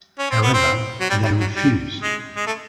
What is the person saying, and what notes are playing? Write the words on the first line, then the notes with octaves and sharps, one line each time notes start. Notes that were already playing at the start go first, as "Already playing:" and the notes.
However, they refused.
C#4
C4
B3
C4
F#3
G3
G3
F#3
G3
G#3
G#3
A3